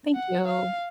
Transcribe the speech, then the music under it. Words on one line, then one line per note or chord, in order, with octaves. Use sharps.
Thank you.
F#5
F5